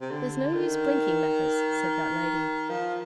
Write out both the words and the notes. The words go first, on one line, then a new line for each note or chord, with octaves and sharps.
'There's no use blinking matters,' said that lady.
C3
D3
D#3
F3